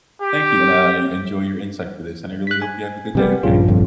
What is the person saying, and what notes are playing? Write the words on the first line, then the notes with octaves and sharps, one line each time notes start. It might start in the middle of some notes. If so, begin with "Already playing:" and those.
Thank you, and I enjoy your insight for this, and I really hope you have a good day, okay?
G4
F#6 B6
G#5
C3 G3 B3
A#1 G2 C#3 F4
G1 F2